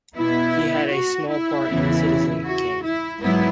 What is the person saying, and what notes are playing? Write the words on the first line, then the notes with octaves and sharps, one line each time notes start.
He had a small part in "Citizen Kane".
B2 B3 E4
F#4
E4
E2 C#3 E3 B3
F#4
E4
G#2 F#3 B3 E4